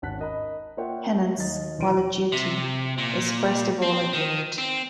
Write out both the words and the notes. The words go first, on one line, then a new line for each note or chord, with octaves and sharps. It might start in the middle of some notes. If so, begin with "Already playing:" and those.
Penance, while a duty, is first of all a gift.
G#1 C#4 F#5 A5 F#6 B6
A#4 D#5 A#5 B5
A#3 F4 C#5 E5 F#5 G5
D#2 D#5 A6
B1 E3 F3 F4 D7 D#7
C3
A#2
C4
D#3
C4